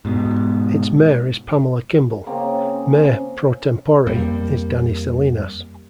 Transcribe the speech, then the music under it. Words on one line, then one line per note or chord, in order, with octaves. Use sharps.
Its Mayor is Pamela Kimball, Mayor Pro Tempore is Danny Salinas.
G#2 B2
C#3 A#3 C4 C#4
F2 G3 A#3